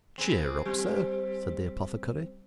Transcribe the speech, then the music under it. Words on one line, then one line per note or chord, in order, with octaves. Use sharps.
'Cheer up, sir!' said the apothecary.
C4 G#4 B4
G3 C4 G4